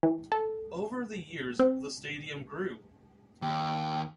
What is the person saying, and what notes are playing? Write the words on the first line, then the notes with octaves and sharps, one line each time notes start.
Over the years, the stadium grew.
E3
A4
C4
D#2 G5